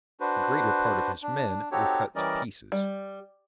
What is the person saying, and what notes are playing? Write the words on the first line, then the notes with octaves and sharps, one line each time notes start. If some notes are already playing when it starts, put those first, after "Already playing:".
The greater part of his men were cut to pieces.
D4 F#4 B4 C5
D4
C4 D#4 F#4 G4 A4 C#5
E3 G3 C#4 A#4 D5 D#5
G3